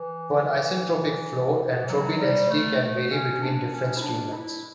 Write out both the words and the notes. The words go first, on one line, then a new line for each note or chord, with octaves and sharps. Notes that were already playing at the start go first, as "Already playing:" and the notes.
For an isentropic flow, entropy density can vary between different streamlines.
Already playing: E3
E3
F#3
G3
A3
A3
C#4
D4
C#4
E4
D4
E4